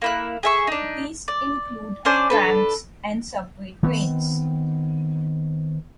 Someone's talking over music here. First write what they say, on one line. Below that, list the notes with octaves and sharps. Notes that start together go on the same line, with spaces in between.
These include trams and subway trains.
A#3 E4 F#6
G#4 E5 C#6
D4 D#4
D5
C#4 D4 C5 D5
D4 A4 B4
D#3 B3 C4